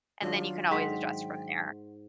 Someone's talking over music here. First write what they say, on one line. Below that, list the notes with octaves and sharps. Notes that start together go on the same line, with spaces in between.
and then you can always adjust from there.
D#3 F#3 D4 F4
G#2 F#5 G5 C6 B6